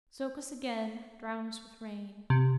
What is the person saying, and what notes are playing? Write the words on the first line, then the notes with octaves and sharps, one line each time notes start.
"Soak us again-- Drown us with rain!"
C3